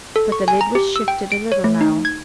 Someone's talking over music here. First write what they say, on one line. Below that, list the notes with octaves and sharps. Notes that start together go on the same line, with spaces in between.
But the lid was shifted a little now.
A4
C#6
G#5
A#5
G4
E6
G5
D7
C#5
A3
D#4
G#6